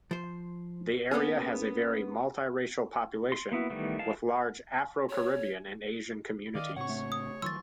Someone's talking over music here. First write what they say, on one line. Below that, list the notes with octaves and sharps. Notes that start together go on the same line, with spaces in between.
The area has a very multi-racial population, with large Afro-Caribbean and Asian communities.
F3 C5
A#3 B3 C#4 G#4
C6
A#3 B3 E4 F#4
D#3 E3 G3 A3 B3
E3 G#3 F5 A5
C#5
D#3 D5 D#5 F5
A2 C#3 C4 C#5 F#5 C#6
A3
D#6
D#3 F3 F#3 C6 C#6 E6 A6